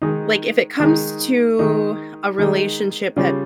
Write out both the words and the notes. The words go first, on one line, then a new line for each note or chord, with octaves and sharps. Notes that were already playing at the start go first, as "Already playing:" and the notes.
like, if it comes to, a relationship that,
D#3 G#3 D#4
D#3 G#3 D#4
D#3 G#3 D#4
D#3 G#3 D#4
C#3 G3 C#4 F4